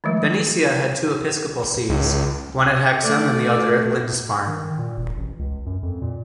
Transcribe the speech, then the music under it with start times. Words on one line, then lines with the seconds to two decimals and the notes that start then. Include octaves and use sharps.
Bernicia had two episcopal sees, one at Hexham and the other at Lindisfarne.
0.04 D#3 F3 G#3 A3
1.89 C#2
3.03 A3 D5
4.48 D#3
4.79 A#2
4.97 E1
5.17 A1
5.39 C#2
5.66 F#2
5.83 F2
6.02 A#2